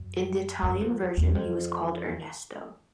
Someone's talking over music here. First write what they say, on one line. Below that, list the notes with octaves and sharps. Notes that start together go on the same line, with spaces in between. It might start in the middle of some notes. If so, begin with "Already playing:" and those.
In the Italian version he was called Ernesto.
Already playing: F#2
F#2
F2
E2
F2